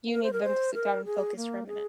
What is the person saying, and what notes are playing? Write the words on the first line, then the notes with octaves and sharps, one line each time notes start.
you need them to sit down and focus for a minute.
A#4
C5
A#4
C5
A#4
G#4
A#3
G#4